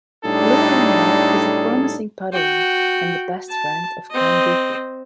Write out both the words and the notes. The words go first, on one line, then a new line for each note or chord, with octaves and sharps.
Lorian Nod is a promising Padawan and the best friend of Count Dooku.
A2 G3 D4 D#4 G#4 A4
F#4 G5
A5
C4 D#5